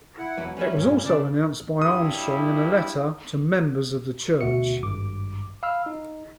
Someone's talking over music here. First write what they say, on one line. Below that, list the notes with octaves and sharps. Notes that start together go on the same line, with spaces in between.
It was also announced by Armstrong in a letter to members of the church.
E4 F#5
E2 F#3 B4
G3 C#4 B4 E5
G2 A#2
C#3 D4 D5
B1 G2 E4 D#6
D2 B2 F#4 E5 C#7
G#1 G2 D6
F5 B5 E6 F6
D#4